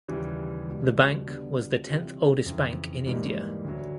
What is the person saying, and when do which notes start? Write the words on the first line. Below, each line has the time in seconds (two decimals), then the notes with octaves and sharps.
The bank was the tenth oldest bank in India.
0.08 D#2 C#3 E3 G3
0.68 C#2 B2 G3
1.27 D3 G3 B3
1.86 C3 E3 G3 C4 F4
2.46 F2 C#3 E3
3.06 G#2 E3 G3 A#3 D#4
3.64 D2 D3 F#3